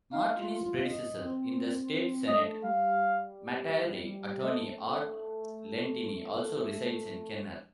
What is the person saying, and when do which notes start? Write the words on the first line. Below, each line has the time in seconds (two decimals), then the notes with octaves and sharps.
Martiny's predecessor in the state Senate, Metairie attorney Art Lentini, also resides in Kenner.
0.12 D#4 F5
0.36 F4
0.61 F4
0.84 D#5
1.20 C4
2.28 A3 D#5
2.64 G3 F5
4.43 A3 D#5